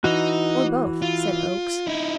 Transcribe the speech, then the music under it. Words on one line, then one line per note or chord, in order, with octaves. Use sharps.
"Or both," said Oakes.
E3 D#4 F#4
F4
D#4 E4